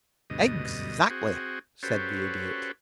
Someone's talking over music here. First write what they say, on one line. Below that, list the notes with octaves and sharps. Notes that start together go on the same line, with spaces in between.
"Exactly," said the Idiot.
D2 G2 B2 D#5
C4 F#4 G#4
C#4 F#4 G4 A4 B4 C5